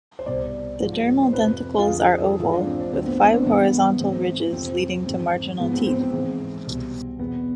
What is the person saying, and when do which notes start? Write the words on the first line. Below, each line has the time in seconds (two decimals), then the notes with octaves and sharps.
The dermal denticles are oval with five horizontal ridges leading to marginal teeth.
0.19 C5
0.26 C2 B2 D5
0.80 G#2 F3
1.23 C5
1.33 F2 C3 F3 B4
1.78 F4
1.86 F2 D3 F3 G#4
1.99 C5
2.21 A4
2.26 G#4
2.39 G#2 E3 F4
2.53 D4
2.66 C4
2.80 D4
2.92 D2 D3 F3 C4
3.06 B3
3.20 C4
3.33 D4
3.46 G#2 E3 B3
3.99 G#2 E3 C4
4.52 F2 C3 F3 C4
5.06 G#2 E3 C4
5.60 G#2 F3 B3
5.74 C4
5.87 C4
6.00 C4
6.13 G#2 E3
6.67 C2 B2
7.19 E2 B2 B3